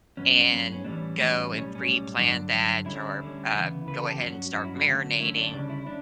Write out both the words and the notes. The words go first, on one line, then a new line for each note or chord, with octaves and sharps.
and go and preplan that, or, uh, go ahead and start marinating.
G2 F#3 B3 C#4
G2 F#3 B3
C#4
A2 E3 G3 C#4 D4
A2 E3 G3 C#4
B1 A2 G3 C#4
C#4
B1 A2 G3
G2 D3 F#3 D4
G2 D3 F#3
D2 D3 G3 C#4 E4
D2 D3 G3 C#4
D2 C#3 E3 B3
D2 C#3 E3 B3 B4
A4
G4
G2 F#3 C#4 F#4
G2 F#3 C#4 F#4
E4
F#4
F#2 D3 A3 C#4
F#2 D3 A3 C#4 E4
D4
D2 C#3 G3 C#4 D4
E4
C#4 D4